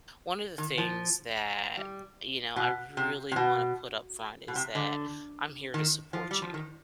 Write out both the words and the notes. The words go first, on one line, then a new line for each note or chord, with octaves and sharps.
One of the things that, you know, I really wanna put up front is that I'm here to support you,
D#3
F3
G3
B2
C3
C3
B2
B2
C3
D3
D#3
F3
G3
F3
D#3